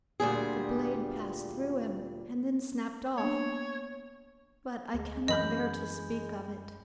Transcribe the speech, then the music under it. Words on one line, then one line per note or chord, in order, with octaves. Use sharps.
The blade passed through him, and then snapped off--But I can not bear to speak of it.
D2 A#2 G3 G#4
A#3 B3 D4 C#5
D2 G#3
F#2 E3 D#5 B5 G6 F#7